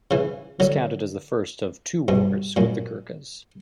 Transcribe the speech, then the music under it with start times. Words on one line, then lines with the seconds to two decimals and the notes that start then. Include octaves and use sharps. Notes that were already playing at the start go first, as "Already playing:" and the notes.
This counted as the first of two wars with the Gurkhas.
0.11 C#3 E3
0.60 D3 F#3
2.08 G2 B2
2.56 F#2 A#2